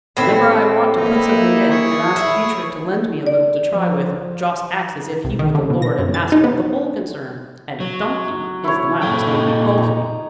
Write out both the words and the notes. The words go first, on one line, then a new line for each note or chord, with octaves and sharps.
Whenever I want to put something in, and ask Dietrich to lend me a little to try with, Jost acts as if he were the lord and master of the whole concern, and 'donkey' is the mildest name he calls me.
A2 B3 C4
A#3 D#4 E4
G#4 C#5
E4
D5
F3
C2
D#3
D3
B2
A#6
F#2
A6
D#4
B3
F#3
E4 C#5
A#2 A4 G5
D#4
A#5